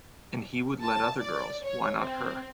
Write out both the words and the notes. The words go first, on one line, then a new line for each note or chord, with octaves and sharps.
And he would let other girls, why not her?
A5
D5
C#5
C4